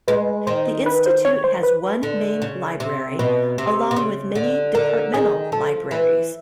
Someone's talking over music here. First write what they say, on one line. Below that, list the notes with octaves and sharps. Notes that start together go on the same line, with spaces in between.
The Institute has one Main Library along with many Departmental Libraries.
G#3 B4
D#3 C5
B4
C5
C#5
C5
B4
D3
C#3
C3
B2 B4
C3
C3
C#3
D3
D3 A#4
D#3 G#4
F3 A4
E3 B4